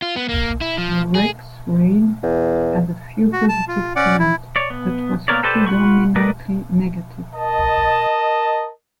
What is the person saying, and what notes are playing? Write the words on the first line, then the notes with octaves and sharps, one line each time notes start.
Rex Reed had a few positive comments, but was predominantly negative.
F4
B3
A#3
E4
F3
G#4
E2
F#4
A5
F4
C#4 D5 F#5 D6
E4
C#5 D5
B3
A#3 B3 A#4 C#5 D5
G4 A4 B4 C5 D5
F4 F#5 B5 C#6
A3 A#4 B4 D5 D#5
A#4 D#5 A5